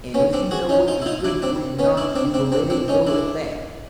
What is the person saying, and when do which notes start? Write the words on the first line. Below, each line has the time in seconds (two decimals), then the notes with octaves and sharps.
And if you know what is good for you, Knox, you will let it go at that.
0.14 B3 C#4
0.33 C4 D4
0.51 F#4 G#4
0.69 C#4 D#4
0.88 D#4 F4
1.02 E4
1.06 D#4 F4
1.24 D4 E4
1.42 C4 D4
1.79 B3 C#4
1.97 D4 E4
2.16 C4 D4
2.34 C4 D4
2.52 C4 D4
2.70 C4 D4
2.88 C#4 D#4
3.07 D4 E4